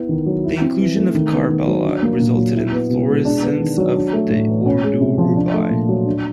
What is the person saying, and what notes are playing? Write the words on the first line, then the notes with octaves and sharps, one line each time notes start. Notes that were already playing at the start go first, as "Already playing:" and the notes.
The inclusion of Karbala resulted in the florescence of the Urdu Rubai.
Already playing: B3 E4
D#3
F#3
E4
C4
E3
A3
D#3
B3
D#3
F#3
D4
A#3
A#2
F#3
E4
B3
B2
G#3
D4
B3
D#3
F#3
D4
A3
A2
E3
C#4
G#3
C3
F3
D4
A3
A#2
F#3
D4